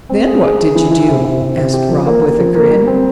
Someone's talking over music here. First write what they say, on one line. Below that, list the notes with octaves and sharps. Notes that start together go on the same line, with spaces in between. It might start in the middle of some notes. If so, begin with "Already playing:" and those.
"Then what did you do?" asked Rob, with a grin.
C4
G#4
G#4
G#4
E3
E4
C3
C3
C3
C3
G4
F3
A#3
A#3
F3
A#3
G3
C4